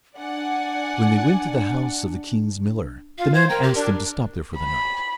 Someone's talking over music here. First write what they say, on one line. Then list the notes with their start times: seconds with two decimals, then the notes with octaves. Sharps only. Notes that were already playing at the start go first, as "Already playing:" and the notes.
When they went to the house of the king's miller, the man asked them to stop there for the night.
0.17 D4 D5 F#5 G#5
3.18 F4 F5
3.34 C5 C6 G#6
3.49 A#4 G5 A#5
3.63 G4
3.75 D4 A#4
4.57 B5